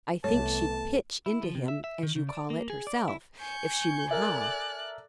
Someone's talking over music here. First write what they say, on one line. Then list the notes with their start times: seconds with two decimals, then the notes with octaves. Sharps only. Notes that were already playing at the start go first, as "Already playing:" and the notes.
I think she'd 'pitch into him,' as you call it, herself, if she knew how.
0.24 C2 A3 B3 C#5 A5
1.26 E4
1.43 F3
1.55 C3
1.68 E5
1.84 E5
2.03 D#3
2.16 C#3
2.29 D5
2.50 A#3
2.70 G#4
2.87 D5
3.08 E4
3.41 G#5 C#6 G6
4.11 A4 A#4 D5 E5 F#6